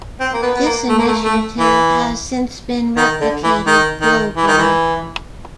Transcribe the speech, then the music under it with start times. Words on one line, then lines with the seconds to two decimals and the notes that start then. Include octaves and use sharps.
This initiative has since been replicated globally.
0.20 C4
0.33 A#3
0.43 B3
0.55 B3
0.66 A#3
0.89 A3
0.99 A#3
1.07 A3
1.24 A3
1.59 E3
2.97 D#3
3.21 D3
3.44 E3
3.67 D#3
4.01 D#3
4.36 E3
4.47 D#3
4.58 E3